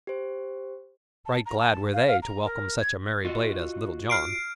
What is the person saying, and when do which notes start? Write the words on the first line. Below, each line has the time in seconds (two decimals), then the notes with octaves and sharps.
Right glad were they to welcome such a merry blade as Little John.
0.07 G4 C5
1.26 A5
1.46 A#5
1.60 A5
1.93 F5
2.07 F5
2.22 A#5
2.45 A#4
2.80 G#6
3.25 F4 F#4 D#5
4.10 F6 C7 D7